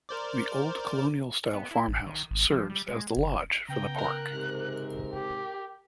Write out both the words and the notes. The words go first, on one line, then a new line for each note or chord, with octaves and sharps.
The old colonial-style farmhouse serves as the lodge for the park.
A#4 C5 D5
B3
E4
A1
D#3
G#1
F3
G3
G#3
F#1
C#3 B3 G5 A#5
A#4 F#6
G#2 C3
G4